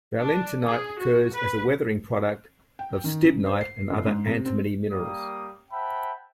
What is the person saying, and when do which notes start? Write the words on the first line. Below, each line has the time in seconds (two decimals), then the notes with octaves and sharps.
Valentinite occurs as a weathering product of stibnite and other antimony minerals.
0.21 D4
0.65 G#4
0.99 F#4
1.33 B4
2.79 G5
3.04 D#3
3.23 C#3
3.46 C5
3.61 C7
3.90 G1
4.06 G#2
4.27 C3
4.45 C4
4.91 G3 A#3 D#6
5.71 C5 E5 F#5 G5 A5 B5